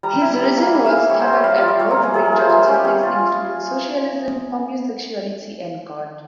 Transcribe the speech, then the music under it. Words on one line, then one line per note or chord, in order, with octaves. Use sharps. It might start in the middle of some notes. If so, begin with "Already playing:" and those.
His written works covered a broad range of topics, including socialism, homosexuality, and God.
G3 A#5
E4
G3
A#3
G3 G#5
F5
E4 E5
G3 C#5
C5
C4
C#5
G3 F5
F5
F4
E5
G3 C#5
A#4
A#3
G#4
G3 G#4
A#4
F4
C5
G3 E5
G#4
C#4
G4
G3 G#4
F4